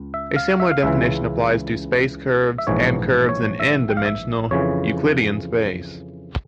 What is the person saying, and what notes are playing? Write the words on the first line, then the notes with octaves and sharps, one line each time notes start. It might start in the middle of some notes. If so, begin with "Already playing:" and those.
A similar definition applies to space curves and curves in "n"-dimensional Euclidean space.
Already playing: C#2
E5
F5
E5
F5
C#2 C#3 E3 E5
E5
A#1 G#2 E3 C#5
C#5
E5
G5
F5
E5
F2 C#3 E3 C#5